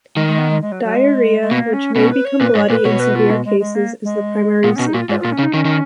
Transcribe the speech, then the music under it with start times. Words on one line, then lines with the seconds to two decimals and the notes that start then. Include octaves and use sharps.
Diarrhea, which may become bloody in severe cases, is the primary symptom.
0.16 D#3 G#3
0.27 G#3
0.38 B3
0.50 G#3
0.61 G#3
0.72 F#3
0.84 F#3
0.95 G#3
1.41 G#3
1.50 B2 A#3
1.73 C#4
1.96 B2 C#4
2.11 B4
2.25 C#5
2.40 A#2 B4
2.55 G#2 C#5
2.70 A#2 B4
2.85 B2 C#5
2.99 B4
3.15 F4
3.30 G#3
3.45 G#3
3.59 G#3
3.75 A#3
4.04 G#3
4.64 A#2 B3
4.76 B2 C#4
4.86 D#4
4.93 A#2 F#4
4.98 F4
5.09 G#2 F4
5.20 A#2 F4
5.32 C#4
5.39 C#3
5.42 D#4
5.54 D#3 C#4
5.65 D#3